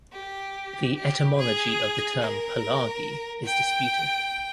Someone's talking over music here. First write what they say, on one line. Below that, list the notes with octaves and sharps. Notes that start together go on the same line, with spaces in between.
The etymology of the term "Palagi" is disputed.
G4
G4
G#4
A#4
G5